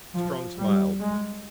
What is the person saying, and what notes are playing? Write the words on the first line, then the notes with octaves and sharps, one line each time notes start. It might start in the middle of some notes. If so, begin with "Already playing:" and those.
Strong smiled.
F3
G3
G#3